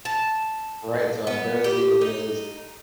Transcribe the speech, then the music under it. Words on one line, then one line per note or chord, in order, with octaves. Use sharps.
Right, so I barely leave as it is.
A5
B3
G4
D#4